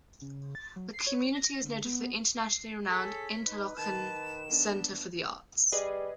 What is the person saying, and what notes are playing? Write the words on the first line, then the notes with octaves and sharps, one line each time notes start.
The community is noted for the internationally renowned Interlochen Center for the Arts.
C#3
A6
F#3
C7
C#5
A#6
D3
B3
C7
G#4 A4 C#5 B6
D#4 B4
D#3 A5 E7
B3 D4
G3 G#4 B4 D#5